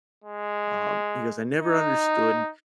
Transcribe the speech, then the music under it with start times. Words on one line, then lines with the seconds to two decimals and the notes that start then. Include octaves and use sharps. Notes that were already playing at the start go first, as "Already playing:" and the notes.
um, he goes, "I never understood
0.24 G#3
1.62 D#4